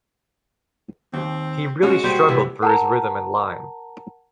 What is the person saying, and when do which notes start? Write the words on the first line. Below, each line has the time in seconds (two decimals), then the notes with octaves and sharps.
He really struggled for his rhythm and line.
1.14 D#2 C4
1.83 G#3 C#4 F#4
2.04 A#2 G3 C5
2.29 C3 E3
2.61 A#4 F#5 A5 A#5